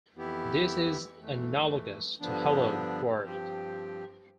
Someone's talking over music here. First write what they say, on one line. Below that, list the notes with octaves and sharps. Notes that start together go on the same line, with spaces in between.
This is analogous to Hello, World!
F2 E3 B3 E4 G4
F2 E3 A3
G2 D3 F3 B3 D4
G2 F3 C4 G4